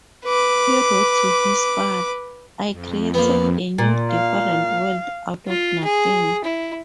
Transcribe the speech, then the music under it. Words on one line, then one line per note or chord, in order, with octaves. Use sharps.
He wrote to his father: I created a new, different world out of nothing.
B4 D6
F2
A#3 B3
A#2
F5
F4
G#4
E4